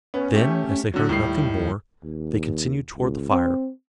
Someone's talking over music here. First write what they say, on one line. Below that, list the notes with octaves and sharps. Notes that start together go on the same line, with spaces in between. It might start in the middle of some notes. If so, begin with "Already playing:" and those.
Then, as they heard nothing more, they continued toward the fire.
B3 C#4
A3 G4
D3 F#3
D#2 A2 G3 C7
D#2
C#2
C4